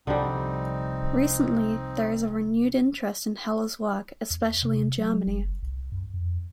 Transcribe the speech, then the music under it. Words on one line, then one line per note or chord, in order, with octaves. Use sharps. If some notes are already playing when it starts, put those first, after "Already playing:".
Recently, there is a renewed interest in Heller's work, especially in Germany.
C2 D3 F3 G3 C4 D#4
E2
C3
F#3
F#1
C2
F#2
F2